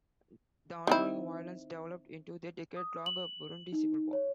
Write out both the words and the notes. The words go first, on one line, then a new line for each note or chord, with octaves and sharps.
The ongoing violence developed into the decade-long Burundi Civil War.
D#3 C4 E4
D#6
F#7
D#4
C#5